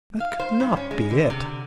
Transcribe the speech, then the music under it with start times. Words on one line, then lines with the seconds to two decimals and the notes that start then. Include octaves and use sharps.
That could not be it.
0.20 F5
0.39 C5
0.60 G2
0.77 C#4
0.91 G#3
1.10 D3
1.30 C3
1.42 D3